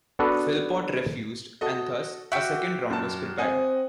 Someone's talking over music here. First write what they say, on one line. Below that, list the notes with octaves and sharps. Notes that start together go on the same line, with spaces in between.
Philpot refused and thus a second round was prepared.
B3 D4 F#4 A4 B4
F#4 A4 D#5
F#4 G4 E5
F#2 A5
C4 D#5 F#5 G#5